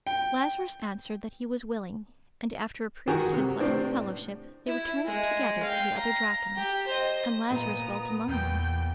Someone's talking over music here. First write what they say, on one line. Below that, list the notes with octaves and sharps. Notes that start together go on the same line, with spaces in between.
Lazarus answered that he was willing, and after a priest had blessed the fellowship, they returned together to the other Draken, and Lazarus dwelt among them.
G5
D#3 F#4 G#4 A#4
C3
A2 C3 C4 D4
E4
G#3
F5 G5
A#5
G4
C5 D#5
A#2 B3 A#5 D#6
E2 G5 G6